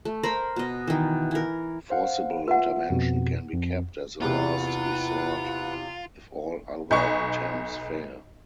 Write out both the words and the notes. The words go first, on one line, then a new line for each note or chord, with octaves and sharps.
Forcible intervention can be kept as a last resort if all other attempts fail.
A3
A#4 C5 A#5 B5
B2 D#5
D#3 E3
E3 A#4
C5 F5 F#5
F4 B4 E5 F#5
F2 B2
F2
E2 C3 E4 F4 B4 F#5
B1 D#5 C#6